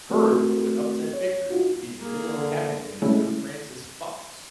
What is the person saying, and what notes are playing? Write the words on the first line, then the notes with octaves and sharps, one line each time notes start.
Hers was an upset victory, defeating Liberal Cabinet minister Francis Fox.
A3 C4 F#4 G4 A#4
C#5
D#4 F4 F#4
A#3 G#4
D3
D3 G#3 A3 C#4 E4